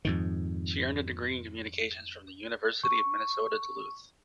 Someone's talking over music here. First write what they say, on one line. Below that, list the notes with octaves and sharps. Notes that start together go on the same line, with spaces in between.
She earned a degree in communications from the University of Minnesota Duluth.
F2 G#2 D#3
C#6